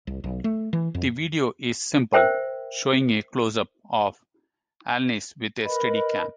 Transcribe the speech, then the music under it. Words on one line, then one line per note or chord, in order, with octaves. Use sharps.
The video is simple, showing a close-up of Alanis with a steady cam.
C2
B1
A3
E3
F2
A#4 C5 E5 G5
A#4 B4 D#5 B5